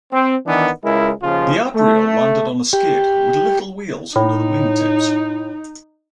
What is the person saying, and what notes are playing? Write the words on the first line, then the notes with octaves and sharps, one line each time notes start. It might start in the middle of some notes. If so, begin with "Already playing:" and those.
The Abrial landed on a skid, with little wheels under the wing tips.
C4
D#3 E3 B3 D4
C#2 G#3 E4 A#4
D#2 C#3 F3 F4
A3
G4
A2 D#4